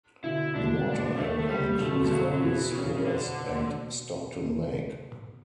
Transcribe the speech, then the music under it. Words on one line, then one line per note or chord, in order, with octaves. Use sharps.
The water area includes various rivers and Stockton Lake.
B2 D3 E4
B2 D3 D4
A3
A3
G3
B2 D3 A3
B2 D3
G3
C#3 F#3
B2 D3
F#3
B2 E3
C#3
C#3
D3